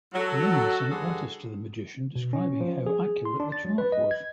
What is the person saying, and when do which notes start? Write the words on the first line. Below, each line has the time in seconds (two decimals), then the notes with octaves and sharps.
The women sent letters to the magician describing how accurate the chart was.
0.14 F#3 F#4 A4
0.90 G2 D3 G#4
2.16 B2
2.33 C#4
2.60 F3
2.86 G#4
3.25 C6
3.40 D4
3.52 A6
3.65 F#3
3.78 B4
3.92 D#5
4.11 G#6